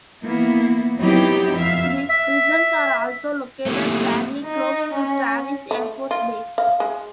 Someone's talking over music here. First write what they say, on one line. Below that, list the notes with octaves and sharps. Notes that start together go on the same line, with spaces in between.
These prisons are also located fairly close to Travis Air Force Base.
E3 A#3 B3 E4
F#3 B3 C4 D#4 E4 G4
F2 E5 F5
E5
A3 A#3 C4 E4 G4 A4
D#4
C#4
A3
F4
F5
G#3